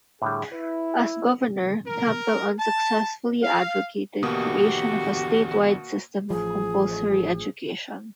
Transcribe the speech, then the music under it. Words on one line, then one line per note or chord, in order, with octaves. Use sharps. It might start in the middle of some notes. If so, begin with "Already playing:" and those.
As governor Campbell unsuccessfully advocated creation of a statewide system of compulsory education.
A2 D3 G3 G#4
E4 B4
A#4
A5
F5
E2 B2 D3 A#3 F#4 G4 D#6
A1 F3 G#4